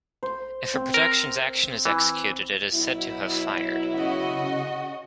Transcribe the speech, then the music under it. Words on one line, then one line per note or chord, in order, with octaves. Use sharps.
If a production's action is executed, it is said to have "fired".
C5
C4
A#4
E3
B2 F#3 E4
C#3 F#4 D#5